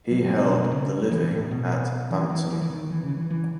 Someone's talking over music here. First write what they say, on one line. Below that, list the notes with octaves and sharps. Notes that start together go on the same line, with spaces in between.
He held the living at Bampton.
F#3
F#3
B2
B2
C#3
E3
A2
B2
E3
E3
E3
E3
D#3
E3
C#3
E3
E3